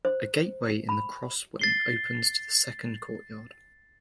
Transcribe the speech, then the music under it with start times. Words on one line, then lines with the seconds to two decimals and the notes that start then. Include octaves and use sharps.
A gateway in the cross wing opens to the second courtyard.
0.05 C5
0.89 B5
1.59 A6 C7 G7